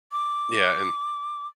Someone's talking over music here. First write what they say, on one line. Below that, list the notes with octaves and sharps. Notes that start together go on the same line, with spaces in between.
Yeah, and
D6